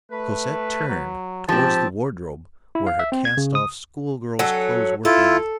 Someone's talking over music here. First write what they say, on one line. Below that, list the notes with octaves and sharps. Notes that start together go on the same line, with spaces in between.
Cosette turned towards the wardrobe where her cast-off schoolgirl's clothes were hanging.
A3 B4
F#3
G#2 F3 C4 G4 A5
E4
F5
E5
C4
G#6
C#3
D#6
F#3 C#4 A4
E4 F4 A4